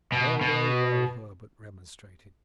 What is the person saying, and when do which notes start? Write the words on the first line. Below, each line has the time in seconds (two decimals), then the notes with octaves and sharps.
"Well, well, well!" Herbert remonstrated.
0.12 B2
0.41 B2